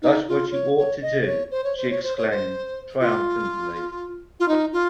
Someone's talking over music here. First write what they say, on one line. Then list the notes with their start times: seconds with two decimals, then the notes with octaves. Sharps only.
"That's what you ought to do," she exclaimed triumphantly.
0.02 D#4
0.28 F4
0.52 C#5
0.78 C#5
1.02 D#5
1.22 C5
1.26 C#5
1.51 C5
1.64 C#5
1.77 C5
1.90 C#5
2.03 C5
2.17 C#5
2.30 C5
3.00 F4
4.40 F4
4.48 D#4
4.73 F4